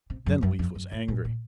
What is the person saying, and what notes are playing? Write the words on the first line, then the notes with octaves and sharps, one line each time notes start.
Then Leif was angry.
C3
F#2
F#2
F2
F#2
A2
A#2
A#2